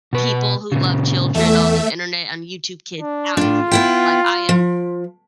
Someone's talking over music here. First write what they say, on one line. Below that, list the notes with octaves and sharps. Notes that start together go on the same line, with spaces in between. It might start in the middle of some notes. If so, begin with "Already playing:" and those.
people who love children on the internet and YouTube kids out of here, like, I am
B2 B4
A#2 C#3
E2 A3 E5
D4
A2 D4 F4
B3 E4 G5
F3